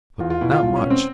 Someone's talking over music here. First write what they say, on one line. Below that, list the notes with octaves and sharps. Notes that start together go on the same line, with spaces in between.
But not much.
E2 F4
F4
B2 E4
F4
C2 F4
C#4
B2
C4